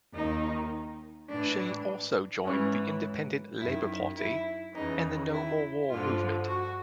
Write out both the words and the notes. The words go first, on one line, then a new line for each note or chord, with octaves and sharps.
She also joined the Independent Labour Party and the No More War Movement.
D#2 D#3 D#4
A2 E3 D4
G#2 E3 C#4
F#2 D#3 E4
E4
E2 C#3 E3 D#4
E4
G2 D3 F3 F4
F#4